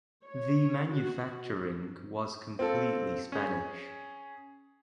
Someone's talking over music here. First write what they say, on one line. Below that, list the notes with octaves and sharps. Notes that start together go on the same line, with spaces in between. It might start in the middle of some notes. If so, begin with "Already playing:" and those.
The manufacturing was completely Spanish.
C#5
F#4
C4 F4 A4
C#4 G#4